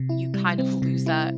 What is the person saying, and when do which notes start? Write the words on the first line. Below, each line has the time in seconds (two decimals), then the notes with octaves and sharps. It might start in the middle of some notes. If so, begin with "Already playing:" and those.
you kind of lose that
Already playing: C3
0.09 E4
0.34 G3
0.58 C4
0.82 C3
1.06 E4